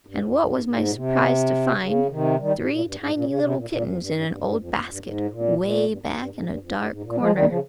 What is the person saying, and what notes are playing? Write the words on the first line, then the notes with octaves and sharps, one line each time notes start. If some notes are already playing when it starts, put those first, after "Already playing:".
"And what was my surprise to find three tiny little kittens in an old basket, 'way back in a dark corner!"
G2
F2
G2
G#2
G#2
A#2
C3
C#3
C3 D#3
D#3 G3
G#2
A#2
G2
G#2
A#2
C3
C#3
C3
A#2
A#2
F2
G2
G2
G2
G2
F2
G2
F2
G2
G#2
A#2
A#2
G2
G2
G2
G#2
G2
F2
G2
G#2
A#2
F3 G#3
D#3 G3
C#3 F3